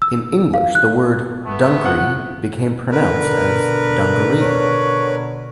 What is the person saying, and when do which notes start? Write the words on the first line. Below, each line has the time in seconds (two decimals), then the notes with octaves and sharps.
In English, the word "dungri" became pronounced as "dungaree".
0.02 E6
0.54 F5
0.75 F#6
1.46 A3 B3
1.85 C3 F4 F#5
2.92 B2 D3 A#4 B4
4.41 C#5